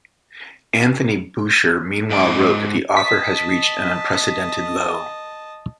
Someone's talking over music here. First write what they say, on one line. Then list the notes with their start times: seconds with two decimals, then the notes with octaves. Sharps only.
Anthony Boucher meanwhile wrote that the "author has reached an unprecedented low".
2.10 G#2 D5
2.97 D#5 A5 B6